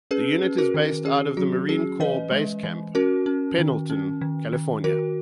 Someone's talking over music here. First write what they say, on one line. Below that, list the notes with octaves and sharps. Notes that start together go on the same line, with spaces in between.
The unit is based out of the Marine Corps Base Camp Pendleton, California.
C#4 G#4 B4
C#4
F#4 A#4
D#3
C#4 G#4
F#3 F#4
C#4 G#4
E3 B4 D#5
G#3
E3
C#4 F#4 A#4
C#4
D#3
C#4
D#3
D#3
D#3 F#4 A#4